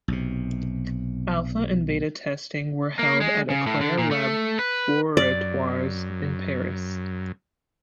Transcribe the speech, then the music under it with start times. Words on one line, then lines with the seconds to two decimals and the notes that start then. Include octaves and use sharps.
Alpha and beta testing were held at Eclair Laboratoires in Paris.
0.08 B1 C3
2.99 A#3
3.21 G#3
3.50 C#3
3.67 A2
3.81 D3
3.99 A#2
4.11 A3
4.59 B4
5.17 F#2 D5